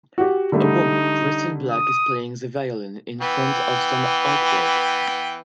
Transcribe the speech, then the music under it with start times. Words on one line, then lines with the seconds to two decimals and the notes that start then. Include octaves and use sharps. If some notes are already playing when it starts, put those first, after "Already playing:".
A woman dressed in black is playing the violin in front of some artwork.
0.18 F#4 G4
0.52 D3 G3 A3 D#4
1.71 D#6
3.21 E3 B3 G5